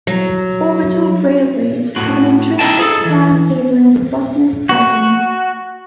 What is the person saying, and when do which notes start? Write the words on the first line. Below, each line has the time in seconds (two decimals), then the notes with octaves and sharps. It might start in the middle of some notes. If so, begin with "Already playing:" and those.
Orbital railways have an intrinsic timetabling robustness problem.
0.07 F#3
1.96 A2 F#4
2.59 D#4 E4 C5 D#5 G5 A5
2.79 G#4 A4
3.05 E3
4.69 F#4